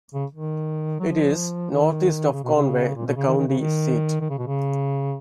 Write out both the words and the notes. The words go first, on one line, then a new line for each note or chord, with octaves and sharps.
It is northeast of Conway, the county seat.
C#3
D#3
F#3
F3
D#3
C#3
B2
C#3
A#2
B2
C#3
D#3
D#3
C#3
D#3
D#3
C#3
B2
C#3